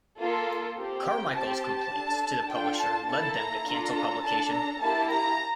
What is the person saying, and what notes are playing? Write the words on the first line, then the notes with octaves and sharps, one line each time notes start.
Carmichael's complaints to the publisher led them to cancel publication.
A#3 F4 A4
C4 G4
G5
C4 G4 A5
A5
D4
A4
D4 F4 A4 G5
A5
A#3 E4 A4 A5
A#5
D4 F4 A4
A#5
D4 A4 A5
A#5
A#3 E4 G4 A5
A#5